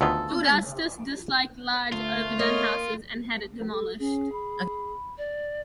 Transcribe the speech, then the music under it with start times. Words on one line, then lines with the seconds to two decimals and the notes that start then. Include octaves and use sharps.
Augustus disliked large overdone houses and had it demolished.
0.01 D2 D#3 B3 F4 G#4 A4
1.92 D2 A3 F4
2.39 A#3 C#5 D#5 F6
3.71 A4
3.99 C#4 G#4
4.32 B5
5.18 D5